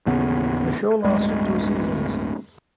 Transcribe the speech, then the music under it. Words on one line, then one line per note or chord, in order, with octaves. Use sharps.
The show lasted two seasons.
A1 D#2 C#3 B3
D1 G2 G3 G#3